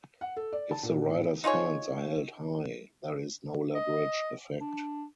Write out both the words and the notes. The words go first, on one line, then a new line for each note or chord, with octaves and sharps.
If the rider's hands are held high, there is no leverage effect.
F#5
A4
D5
A5
A#2
A2
D#4 F4 G#4 C#5
D#5
D4